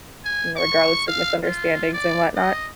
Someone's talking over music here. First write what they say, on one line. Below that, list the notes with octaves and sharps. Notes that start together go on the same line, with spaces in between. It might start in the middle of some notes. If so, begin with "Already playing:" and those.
regardless of misunderstandings and whatnot.
G#5
C#6
F5
F4
D5
D#5